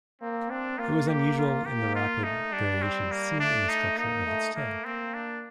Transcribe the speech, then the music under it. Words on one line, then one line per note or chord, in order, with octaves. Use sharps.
It was unusual in the rapid variations seen in the structure of its tail.
A#3 C4
C4 D4
A#3 F4
G4
F4
A#3 G4
F4
A3 D#4
G3 D4
C4
A#3
A3 D4
D#4
A#3 D#4
A3
A3 A#3
A#3 C4
D4